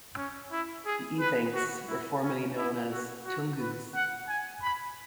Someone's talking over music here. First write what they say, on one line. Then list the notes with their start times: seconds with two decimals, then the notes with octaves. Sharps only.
The Evenks were formerly known as "tungus".
0.17 C#4
0.52 E4
0.86 G#4
1.20 B4
1.54 F#4
1.88 E4
2.23 C#4
2.57 E4
2.92 F#4
3.26 F#4
3.60 B4
3.94 F#5
4.28 G#5
4.63 B5